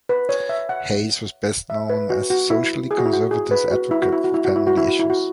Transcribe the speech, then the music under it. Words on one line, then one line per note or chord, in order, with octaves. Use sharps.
Hayes was best known as a socially conservative advocate for family issues.
B4
C#5
E5
F#5
E5
B4
F#4
F#4
E4
G#4
F#4
E4
F#4
G#4
B4
F#4
E4
F#4
E4
F#4
E4
F#4
E4
F#4
E4
F#4
E4
F#4